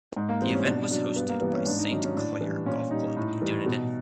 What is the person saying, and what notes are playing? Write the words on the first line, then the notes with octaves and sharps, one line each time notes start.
The event was hosted by St Clair Golf Club in Dunedin.
G#2
A#3
E3 G3 C4
C#4
B2 D4
F#3 D4
G2 B3
A#3
E3 G3 B3
C#4
G#2 D4
D#4
D#3 F#3 C#4
C#4
A2 D4
E3 G3
A#2 C#4
G3 D#4
A2
E3 G3
B2